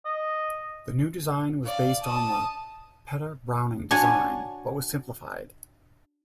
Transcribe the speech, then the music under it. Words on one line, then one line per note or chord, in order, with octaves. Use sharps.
The new design was based on the Petter-Browning design but was simplified.
D#5
D5 F5
A5 D#6
D4 F#4 C#5 G#5